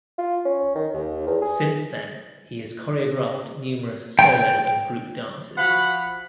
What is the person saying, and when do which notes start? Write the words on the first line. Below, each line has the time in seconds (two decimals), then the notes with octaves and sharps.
Since then, he has choreographed numerous solo and group dances.
0.19 F4
0.46 C#4
0.75 D#3
0.94 D#2
1.27 E2
1.42 G#4
4.19 G5
5.58 F3 F#4 F5 F#5 B5